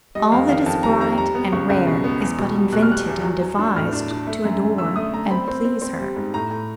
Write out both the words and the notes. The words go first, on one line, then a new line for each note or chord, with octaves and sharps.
All that is bright and rare is but invented and devised to adorn and please her.
G3 D#5
F2 F5
D#3 F5
F2 A5
G3 A#5
F2 A#5
G3 A#5
B3
C#2 C#6
C#2
B2
B3
E2
B2
G3
B2 F#6
F6
G3 F#6
E2
F#3
F#3
D4
A2 F6
D4
D4
A3
F#2
D3
A3 E6
A3 D#6
A3 A#5
C4 B5
C4
C4
C4
G3
G#2
A2 A#5
A2